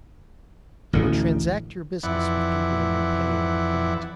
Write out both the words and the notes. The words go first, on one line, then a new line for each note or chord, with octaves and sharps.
I would transact your business with people in your pay or employment.
A1 D2 D3
F2 E3 E4 D5 F#5